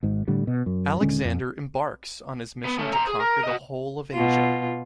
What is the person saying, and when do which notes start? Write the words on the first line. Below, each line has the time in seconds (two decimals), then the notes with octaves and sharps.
Alexander embarks on his mission to conquer the whole of Asia.
0.03 G#1 G#2
0.28 A2 D3 G3
0.47 B2
0.66 F#2
1.01 D#1 D3 G#3 C#4
1.25 F2
2.65 B3
2.79 A3 C#4
2.93 C5 A#5
3.07 G#4
3.20 A#4
3.43 F#4 D#5
4.13 B2 F4